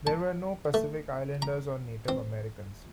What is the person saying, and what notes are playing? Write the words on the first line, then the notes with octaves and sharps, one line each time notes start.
There were no Pacific Islanders or Native Americans.
A5
A3
A#5
C4